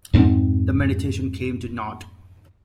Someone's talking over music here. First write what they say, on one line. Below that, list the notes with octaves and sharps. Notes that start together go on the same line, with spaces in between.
The mediation came to naught.
F2 G#2 G3 C4